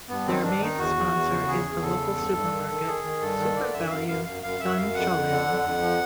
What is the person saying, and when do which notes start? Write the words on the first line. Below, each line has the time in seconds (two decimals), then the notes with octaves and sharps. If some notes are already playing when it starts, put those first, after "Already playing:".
Their main sponsor is the local supermarket, SuperValu Dunshaughlin.
0.09 G2 B3
0.26 D#3 C4
0.43 G2 D4
0.61 D#3 D#4
0.78 E2 F#4
0.96 E2
1.13 E2
1.30 C#3
1.47 E2 G#4
1.65 E2
1.82 C#3 A4
2.00 E2
2.17 G2
2.34 G2
2.52 D#3
2.69 D#3
2.87 D#3 G#4
3.04 D#3
3.21 G2 A4
3.39 D#3
3.56 D3 D5
3.73 F#2 E5
3.90 F#2 F5
4.08 F#2 F5
4.25 F#2 F5
4.43 F#2 F5
4.60 F#2 E5
4.78 F#2 F5
4.94 F2 F#5
5.12 F2
5.30 D3
5.47 F2
5.64 F2
5.81 F3